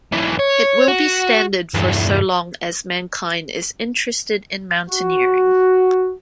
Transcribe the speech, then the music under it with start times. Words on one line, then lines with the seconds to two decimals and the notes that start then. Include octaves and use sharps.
It will be standard for so long as mankind is interested in mountaineering.
0.12 B1 E3
0.39 C#5
0.88 F#4
1.74 E2 G2
4.90 F#4